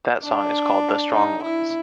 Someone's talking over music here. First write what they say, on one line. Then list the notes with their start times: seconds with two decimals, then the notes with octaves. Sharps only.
That song is called "The Strong Ones".
0.24 D4
1.13 D#4
1.43 E4